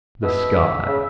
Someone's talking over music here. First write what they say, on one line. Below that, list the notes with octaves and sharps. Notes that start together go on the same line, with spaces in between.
The sky.
B2 E5
C#3